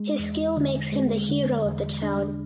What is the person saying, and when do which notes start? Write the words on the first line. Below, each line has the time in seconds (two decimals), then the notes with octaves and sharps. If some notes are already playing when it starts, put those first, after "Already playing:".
His skill makes him the hero of the town.
Already playing: G#3
0.19 E2
0.57 D3
0.92 G#3
1.29 D3
1.66 E2
2.03 D4